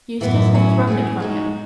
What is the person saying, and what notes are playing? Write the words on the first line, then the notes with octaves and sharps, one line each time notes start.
Eustace had thrown it from him.
F#2 A2 E3 B3 E4
F#3 C#4 E4
E3 A3 C#4 G#4
G#3 D#4 F#4